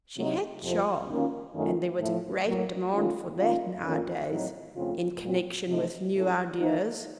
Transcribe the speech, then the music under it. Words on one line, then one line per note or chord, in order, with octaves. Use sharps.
She had charm, and there was a great demand for that nowadays in connexion with new ideas.
C3 F#3 C4 D#4
F2 C3 F3
D#3 A#3 C#4 F4
F#2 D#3 A3 C#4 F4
A2 F3 A3
A2 F#3 A#3
D#3 A3 C#4 F4
D#3 A#3 C#4 F4
F2 D#3 A#3 C#4 F4
A2 F#3 C4 D#4
F2 C#3 A3 C4 F4
A#2 F#3 C4 F4
C3 F3 A3 D#4
A2 A3 C#4
D#3 A#3 D#4